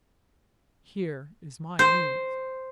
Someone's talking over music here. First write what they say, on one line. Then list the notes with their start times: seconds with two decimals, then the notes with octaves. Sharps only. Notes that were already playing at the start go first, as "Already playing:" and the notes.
Here is my news.
1.79 C5